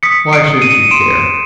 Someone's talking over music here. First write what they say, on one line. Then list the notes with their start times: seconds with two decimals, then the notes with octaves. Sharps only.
Why should she care?
0.03 D#6 B6 C#7
0.33 C7 D7
0.47 D#6
0.61 C#7 D#7
0.91 C6 D7 E7